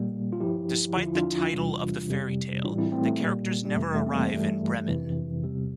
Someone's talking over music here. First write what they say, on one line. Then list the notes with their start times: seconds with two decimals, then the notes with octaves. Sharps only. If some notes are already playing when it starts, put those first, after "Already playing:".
Despite the title of the fairy tale, the characters never arrive in Bremen.
Already playing: A#2 G3 A#3
0.33 F4
0.40 G2 F3 E4 G4
0.96 E2 D3 F3 F4
1.06 E4
1.15 D4 F4
1.53 E2 C3 E3 G3
2.09 F2 C3 G3
2.64 A2 E3 G3 D4 F4
2.78 C4 E4
2.92 A3 C4
3.06 A3
3.20 A#2 G3 A#3
3.65 G3
3.76 F2 C3 E3 G3 A3
3.95 A3
4.06 C4
4.13 G3 A#3
4.32 G2 E3 G3 A3
4.88 F2 C3 E3
5.44 E2 C3 G3